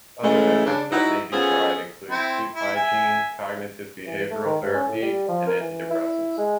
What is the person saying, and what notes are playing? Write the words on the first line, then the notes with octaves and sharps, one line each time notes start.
Other efforts that may be tried include sleep hygiene, cognitive behavioral therapy, and antidepressants.
C#3 E3 G#3 A3
C#3 D4
D#4 E4 F#4
B3 C#4 F4 G#4 A4 C5
C4 E4
E4
E5 G#5
E3
A3
D#3
G2
C#4
A2
G3
F3
A#4
E3
E4
G#3